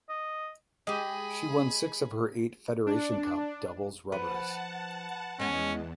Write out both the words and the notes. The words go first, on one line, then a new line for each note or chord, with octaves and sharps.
She won six of her eight Federation Cup doubles rubbers.
D#5
G#3 G4 G#4 D#5 B5
D4
F3 B4 F#5 A5
E2 G#3 B3 C#4